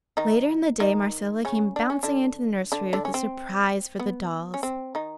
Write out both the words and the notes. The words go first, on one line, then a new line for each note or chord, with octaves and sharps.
Later in the day Marcella came bouncing into the nursery with a surprise for the dolls.
D#3 D#4
D#3 D#4
C#3 C#4
D4
C#4
D3 D4
D3 D4
D3 D4
C#4
C4
B3
C#4
C4
D#3 D#4